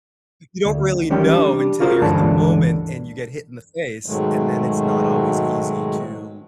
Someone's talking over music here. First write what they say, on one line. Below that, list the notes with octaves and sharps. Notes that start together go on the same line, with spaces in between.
you don't really know until you're in the moment and you get hit in the face, and then it's not always easy to
D2
E3 G3 C#4 G4 A#4 G5
G3 D4
F4 F#4 G#4 A#4 C5
C#2 G2 D3 E3 A5
G#2 B2 D#3 F#3 G#3 A3